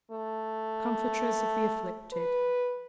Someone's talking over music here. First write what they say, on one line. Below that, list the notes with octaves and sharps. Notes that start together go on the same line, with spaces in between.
Comfortress of the afflicted.
A3
B4